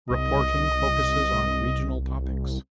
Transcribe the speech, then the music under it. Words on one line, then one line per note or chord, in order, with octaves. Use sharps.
Reporting focuses on regional topics.
C2 D#5